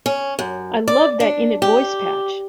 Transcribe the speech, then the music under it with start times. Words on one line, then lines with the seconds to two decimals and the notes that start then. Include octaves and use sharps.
I loved that "Init Voice" patch.
0.06 C#4
0.39 F#2
0.88 D5
1.20 D4
1.62 G4